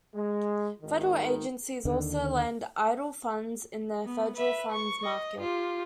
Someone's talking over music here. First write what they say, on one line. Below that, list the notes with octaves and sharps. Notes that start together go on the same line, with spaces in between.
Federal agencies also lend idle funds in the federal funds market.
G#3
G#1 D#3
D#2 D3 D#3
B3
B4 E5
C#6
D#5
F4 G4